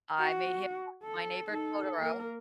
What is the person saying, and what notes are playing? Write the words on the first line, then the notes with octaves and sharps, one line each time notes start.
I made him watch My Neighbor Totoro.
F#4
A4
D#4 A4
A#3 A#4